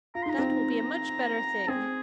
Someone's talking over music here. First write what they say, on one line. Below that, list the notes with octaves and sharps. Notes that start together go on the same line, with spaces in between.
That will be a much better thing.
F4 A#5
C6
D#4 A#5
C4
D#4
C4 G#4